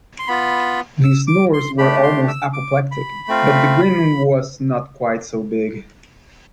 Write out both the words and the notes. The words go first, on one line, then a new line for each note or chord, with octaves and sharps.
The snores were almost apoplectic; but the grin was not quite so big.
C6
B3 F4 B5
E6
D6
C6
A3 D4 G4 B5
C6
E6
D6
B5
A3 C4 F4